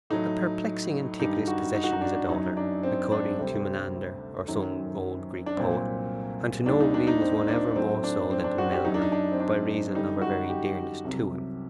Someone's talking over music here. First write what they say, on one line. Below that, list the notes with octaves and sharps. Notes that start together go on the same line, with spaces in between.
"A perplexing and ticklish possession is a daughter," according to Menander or some old Greek poet, and to nobody was one ever more so than to Melbury, by reason of her very dearness to him.
A2 F#3 D#4
G2 D#3 G3 D#4
F#4
D#4
F#4
D#4
D4
F#2 F#3 D#4
D4
C4
D4
D2 C3 G3 C4
F#2 D#3 F#3
D4
C2 A#2 F#3 C4
D#2 D#3 G3 D4
D#4
D4
D#4
C4
D4
A2 F#3 C4
D4
C4
D4
F#4
G4
F#2 F#3 D#4
D4
D#4
D4
C4
D4
F#2 D3 G3 D#4
F#4
G4
C2 C3 F#3